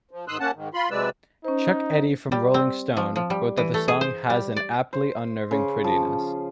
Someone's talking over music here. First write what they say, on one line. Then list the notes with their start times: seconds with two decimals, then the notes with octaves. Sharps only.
Chuck Eddy from "Rolling Stone" wrote that the song "has an aptly unnerving prettiness".
0.11 F3
0.28 G#2 D#3 C6 D#6 E6 F#6
0.40 A#3 C#4 F#5 A5
0.55 G#2 D#3
0.74 F4 B5 C6
0.91 C3 F#3 G#3 B4 D5 E6
1.45 C#4 D#4 C5
2.32 G3
2.54 C4
2.97 F3
3.16 F3
3.30 G3
3.57 E3
3.74 A3
3.88 G#4
4.01 C5
4.30 G3
4.57 D5
4.93 C5
5.51 C#3
5.84 F3